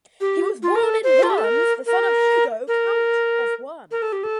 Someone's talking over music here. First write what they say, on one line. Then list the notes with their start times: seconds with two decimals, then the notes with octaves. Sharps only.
He was born in Worms, the son of Hugo, count of Worms.
0.21 G4
0.63 F4
0.75 A#4
0.83 A4
1.04 C5
1.23 F4
1.30 G4
1.38 A4
1.44 A#4
1.86 A#4
2.68 A#4
3.91 A#4
4.02 A4
4.13 G4
4.24 A4